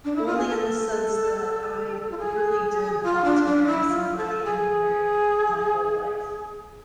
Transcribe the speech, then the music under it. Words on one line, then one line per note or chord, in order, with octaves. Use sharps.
only in the sense that I really did want to marry somebody and be married for the my whole life
D4
E4
F4
G#4
A4
F4
G#4
F4
D4
D4
E4
F4
A4
G#4